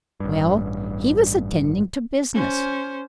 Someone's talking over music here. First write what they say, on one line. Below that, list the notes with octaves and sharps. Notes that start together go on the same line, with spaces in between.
Well, he was attending to business.
A1 G2
C#4 C5